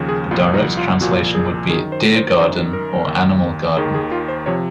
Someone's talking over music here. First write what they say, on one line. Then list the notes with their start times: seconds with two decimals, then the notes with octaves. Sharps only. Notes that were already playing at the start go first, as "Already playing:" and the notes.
A direct translation would be "Deergarden" or "Animalgarden".
Already playing: D#2 C#3 F3
0.09 G#4
0.31 C2 A#2 F3 F4
0.54 D#4
0.77 F4
1.00 C2 A#2 F3 F#4
1.35 G#4
1.70 D#3 G#4
1.74 F#2
1.92 C5
2.16 C5
2.38 F#2 D#3 C5
2.73 A#4
3.08 D#2 D#3
3.77 D#2 D#3 G#4
3.95 G#4
4.12 F4
4.28 C5
4.46 C3 F3 C#5